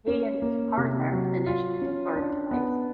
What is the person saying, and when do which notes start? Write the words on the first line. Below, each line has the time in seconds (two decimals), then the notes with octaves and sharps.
He and his partner finished in third place.
0.07 C#4
0.42 A#3
0.77 C3
1.12 F#3
1.46 F4
1.82 C#4
2.16 D4
2.51 B3